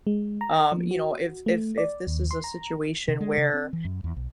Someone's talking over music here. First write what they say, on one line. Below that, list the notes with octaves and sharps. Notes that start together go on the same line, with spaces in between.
um, you know, if if if this is a situation where
G#3
A#5
F3
F#4
A3
D5
D#2
C6
A#5
C3
G#3
C#3
C4
E3
F#2
E2
B1